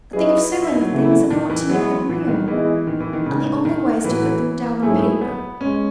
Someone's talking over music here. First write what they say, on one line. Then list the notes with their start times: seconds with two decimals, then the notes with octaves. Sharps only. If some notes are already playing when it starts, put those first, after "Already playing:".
I think of so many things, and I want to make them real, and the only way is to put them down on paper.
0.13 F#3 C#4 E4 G#4 B4 D#5
0.52 F#4
0.62 E4
0.71 D#4
0.82 F#3
0.92 C#3 E3 A3 E4
1.30 D#3
1.50 E3
1.70 E3 F#3 G#3 B3
2.09 E3
2.28 D#3
2.48 E3 G#3 B3 E4 G#4 D#5
2.87 D#3
3.00 E3
3.13 D#3
3.26 A2 C#3 G#3 B3 D#4
3.65 D#3
4.04 A2 E3 F#3 B3 F#4 B4
4.83 G#2 F#3 A3 C#4 E4 G#4
5.21 B3
5.61 G#3 C#4